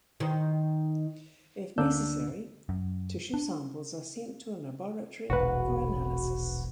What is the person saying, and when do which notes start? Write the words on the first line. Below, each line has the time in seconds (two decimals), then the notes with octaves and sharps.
If necessary, tissue samples are sent to a laboratory for analysis.
0.20 D#3 C5
1.78 D2 D3 A#3 D4 E6 G6
2.69 F#2
3.34 D4
5.30 E1 A#1 F#4 B4